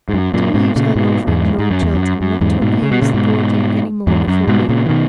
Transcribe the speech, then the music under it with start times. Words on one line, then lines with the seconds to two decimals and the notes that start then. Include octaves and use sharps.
Do you tell your friend Lord Chiltern not to abuse the poor Duke any more before me.
0.09 G#2
0.14 F#2
0.34 F#2 A#2
0.54 G#2 B2
0.76 A#2 C#3
0.96 G#2 B2
1.27 E2 G#2
1.59 G#2
1.71 F#2
1.82 E2
1.95 F#2
2.21 F#2
2.41 E2 G#2
2.61 G#2 B2
2.82 C#3
2.92 B2
3.02 A#2 C#3
3.14 G#2 B2
4.07 E2 G#2
4.27 F#2
4.47 G#2 B2
4.69 A#2 C#3
4.86 E3
4.89 B2 D#3